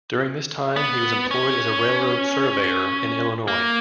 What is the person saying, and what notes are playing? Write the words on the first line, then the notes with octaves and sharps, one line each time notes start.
During this time he was employed as a railroad surveyor in Illinois.
B3
C#4
A#3